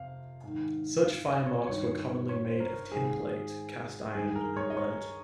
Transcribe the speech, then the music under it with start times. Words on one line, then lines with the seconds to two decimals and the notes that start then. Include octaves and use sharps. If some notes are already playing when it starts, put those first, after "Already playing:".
Such fire marks were commonly made of tinplate, cast iron and lead.
Already playing: F2 C3 F5
0.43 G#2 D#3
1.06 F5
1.26 D#5
1.46 C#5
1.67 G2 D#3 C#5
2.29 C#5
2.45 C5
2.60 A#4
2.91 G#2 D#3 G#4
4.15 G2 D#3 G#4
4.29 G#4
4.36 A#4
4.57 C#5
4.70 D#5
4.77 C#5